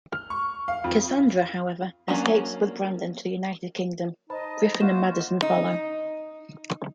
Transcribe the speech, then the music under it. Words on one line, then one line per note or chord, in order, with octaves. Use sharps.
Cassandra, however, escapes with Brandon to the United Kingdom; Griffin and Madison follow.
F6
C#6
F5
F2
F#3 A#3 C#4 D4 A#5
D#4 C5 D#5 A5 B5
A#3 F4 F#4 C5 F#5 E7
D#4